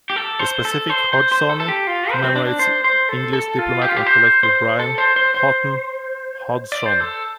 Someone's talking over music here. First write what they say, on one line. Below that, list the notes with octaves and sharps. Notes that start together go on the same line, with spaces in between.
The specific "hodgsoni" commemorates English diplomat and collector Brian Houghton Hodgson.
G4
A4
C5
A4
C5
C5
C5
A4
A4
G4
F4
C5
C4
D4
C5
C5
A4
A4
F4
G4
F4
G4
C5
C5
A4
C5
C5
C5
D5
C5
A4